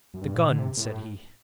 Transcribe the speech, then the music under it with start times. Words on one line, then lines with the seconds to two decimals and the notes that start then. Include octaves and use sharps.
"The gun!" said he.
0.14 F#2
0.21 G2
0.34 A#2
0.49 D3
0.59 C3
0.77 A2